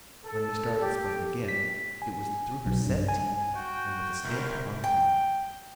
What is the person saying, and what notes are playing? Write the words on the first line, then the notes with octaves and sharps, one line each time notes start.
When Miss Dartle spoke again, it was through her set teeth, and with a stamp upon the ground.
A4
G4
B6
G#5
B1
G2
G#5
F#4 G5
C2 A#4
G5